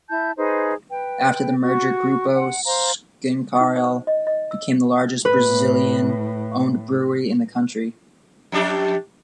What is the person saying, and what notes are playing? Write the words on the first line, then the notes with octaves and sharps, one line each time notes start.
After the merger, Grupo Schincariol became the largest Brazilian-owned brewery in the country.
E4 A5 G6
D#4 G#4 B4 C5
B4 G5
F#4 C#6
F#5
C5 F5 A#5
D#4
C5
D#5
D#5
E6
A2 B4
F2 D4 G4